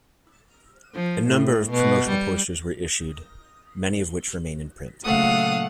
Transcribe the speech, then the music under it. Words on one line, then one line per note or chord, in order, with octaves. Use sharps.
A number of promotional posters were issued, many of which remain in print.
F3
A2
B2
G3
A#2 C#3 F#3 A3 F5 F#5 D#6